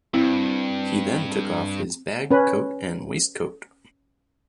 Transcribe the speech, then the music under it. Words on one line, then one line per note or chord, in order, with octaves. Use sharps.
He then took off his bag, coat, and waistcoat.
G2 C4 E4
C#4 B4